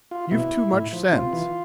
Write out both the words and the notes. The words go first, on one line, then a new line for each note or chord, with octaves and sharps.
You've too much sense.
F4
B2 E4
A2
F3
C3 F4
E3